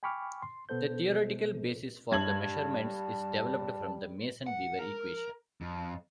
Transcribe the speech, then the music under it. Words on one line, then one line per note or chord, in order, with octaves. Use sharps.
The theoretical basis for the measurements is developed from the Mason-Weaver equation.
G5 G#5 B5 C#6 D6 F6
C6
B2 B3 A4 C5 G6
G2 G3 A5 G#6 F#7
F#5
A#4
F2